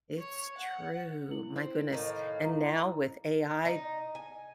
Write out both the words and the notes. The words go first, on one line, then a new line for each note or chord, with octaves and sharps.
it's true, my goodness, and now with AI
C#5
F#5
E4 F#7
C4
A2 D#3 A#3
E4 A#5
D#4
G#5